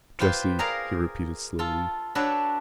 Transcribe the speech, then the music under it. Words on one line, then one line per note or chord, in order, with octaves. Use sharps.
"JESSIE," he repeated slowly.
F4 G4 B4 C5
G#4 A#4 D5 F5 A#5
F4 A4
D4 F#4 A4 B4 C#5